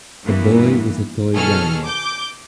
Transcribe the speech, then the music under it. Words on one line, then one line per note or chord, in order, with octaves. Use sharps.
A boy with a toy gun.
G2 E3 A#3 B3
B2 D#3 G#4 A4 C#6 F6
D6 G6